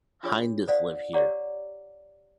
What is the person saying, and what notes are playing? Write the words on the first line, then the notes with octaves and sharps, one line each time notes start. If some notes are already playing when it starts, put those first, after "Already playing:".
Hindus live here.
D4 F4 G#4 A4 C#5
A4 C5 D5 F5 F#5
G4 C#5 D5 F#5 A#5 D6